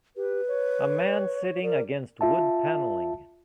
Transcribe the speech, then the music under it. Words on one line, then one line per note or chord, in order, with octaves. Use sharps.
A man sitting against wood paneling.
G4 B4
C#5
A#4 D5
F4 E5 A5